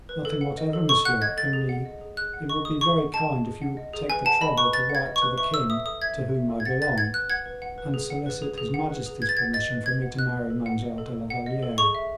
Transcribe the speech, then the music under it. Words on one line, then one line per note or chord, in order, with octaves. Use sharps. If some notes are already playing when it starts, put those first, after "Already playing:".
"Nothing whatever, monsieur, only it would be very kind if you would take the trouble to write to the king, to whom I belong, and solicit his majesty's permission for me to marry Mademoiselle de la Valliere."
B4
A4
F#5
D#5
A4
A4 C#6
F#5 F#6
D#5 G#6
A4 A6
G#4
F#5
D#5
G#4
G#4 F#6
F#5
D#5 C#6
G#4 D#6
G#4 C#6
F#5
D#5 A5
G#4
G#4
F#5
D#5
G#4
B4 G#5
F#5 A5
D#5 B5
B4 C#6
B4 A6
F#5
G#6
D#5
C#6
B4
E5 C#6
A4 E6
E5 D#6
A4 D#6
E5 G#6
A4
E5
A4
G#6
F#5 A6
B4 A6
F#5 G#6
B4 F#6
F#5 G#6
B4
F#5
B4
G#4
F#5
B4
G#4
G#4
F#5
B4
G#4
B4 G#6
A6
F#5 G#6
D#5 A6
B4
B4 G#6
F#5
D#5 F#6
B4
A4
F#5
D#5
A4
A4
F#5
D#5
A4
G#4 C#6
E5